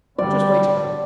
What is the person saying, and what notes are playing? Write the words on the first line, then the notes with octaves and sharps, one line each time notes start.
You just wait a bit.
D3 G3 D5